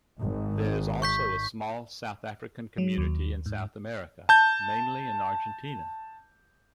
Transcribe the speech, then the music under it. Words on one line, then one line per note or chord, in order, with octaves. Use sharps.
There is also a small South African community in South America, mainly in Argentina.
G#1
C#6 G6 B6
F#3
D#2
G#2
A5 G6